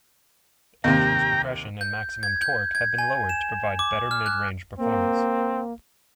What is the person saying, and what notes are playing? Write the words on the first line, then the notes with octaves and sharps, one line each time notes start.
The engine's compression and maximum torque have been lowered to provide better midrange performance.
D#2 C3 G5 A#5
G6
G#6
G6
G#6
G#5
E7
D6
F6
F#6
A#3 C4